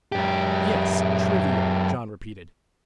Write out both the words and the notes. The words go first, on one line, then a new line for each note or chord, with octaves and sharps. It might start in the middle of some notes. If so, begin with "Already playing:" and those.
"Yes, trivial," John repeated.
F#2 G4